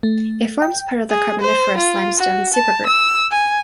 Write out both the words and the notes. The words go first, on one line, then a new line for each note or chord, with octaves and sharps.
It forms part of the Carboniferous Limestone Supergroup.
A3
G5
G#4
C5
F4
F#4
A5
E6
G#5